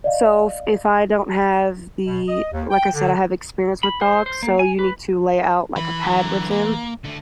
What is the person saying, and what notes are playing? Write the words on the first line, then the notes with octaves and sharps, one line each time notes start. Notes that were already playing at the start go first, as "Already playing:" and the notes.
So, if if I don't have the like I said, I have experience with dogs, so you need to lay out, like, a pad with him,
D5 D#5 F5
B2
D#5
D#2
G5
D3
B5
C5
C5
A#3
G#5
B4
D#3 E3 B5
D3 F#3
A#3
D3 A3